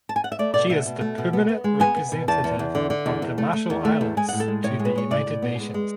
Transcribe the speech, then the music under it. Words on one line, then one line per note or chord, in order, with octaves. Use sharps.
She is the Permanent Representative of the Marshall Islands to the United Nations.
A5
G#5
F#5
E5
A3 D5
B2 D5
B2 E5
B2
A3
B2
B3
B3
G#3
B3 G#5
B3
B2
E2 A5
E2
E2
D3
D3
E2
E2
A3
A3
E2
A3
E2
G#3 G#5
A2 F#5
A4
G#3
A2 C#5
G#3
B4
G#3 C#5
A2 D5
A2
B3
G#3
G#3